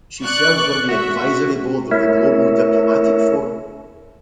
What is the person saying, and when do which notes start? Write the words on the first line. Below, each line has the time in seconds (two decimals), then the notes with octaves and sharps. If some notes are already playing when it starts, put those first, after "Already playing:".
She serves on the advisory board of the "Global Diplomatic Forum".
0.23 D5 C#6 F#6
0.89 F#4 E5
1.91 A3 E4 A#4 C#5 E5